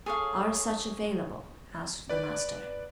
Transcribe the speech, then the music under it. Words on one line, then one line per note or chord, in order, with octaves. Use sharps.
"Are such available?" asked the Master.
G#4 A4 C#5 F5
B4 D5